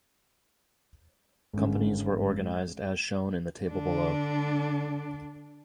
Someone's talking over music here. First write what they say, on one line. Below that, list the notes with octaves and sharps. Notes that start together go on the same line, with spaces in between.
Companies were organized as shown in the table below.
G#1 D3 G#3 C#4
D3 D4